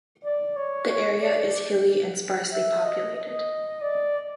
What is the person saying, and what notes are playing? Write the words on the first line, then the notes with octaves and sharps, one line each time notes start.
The area is hilly and sparsely populated.
D5
C#5
C#5
D5
E5
D#5
D#5
D5